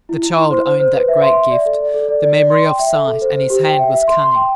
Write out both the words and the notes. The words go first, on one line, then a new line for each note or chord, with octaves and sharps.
The child owned that great gift, the memory of sight, and his hand was cunning.
E4
E4
C6
C5
C5
C5
B4
E5
C6
E5
D5
A4
D5
A4
D5
D5
D5
C6
G5
E5
A4
A4
C5
C5
G4
G5
E5
E5
C6
C6
G5